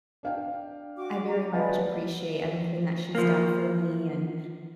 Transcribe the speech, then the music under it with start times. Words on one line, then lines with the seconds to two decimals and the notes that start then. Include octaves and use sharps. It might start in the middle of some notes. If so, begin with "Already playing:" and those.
I very much appreciate everything that she's done for me and,
0.23 D4 F5 G5
0.96 F#4 D6
1.27 A#5
1.53 B4 D5 D#5 F#5 G#5
3.15 F3 A#3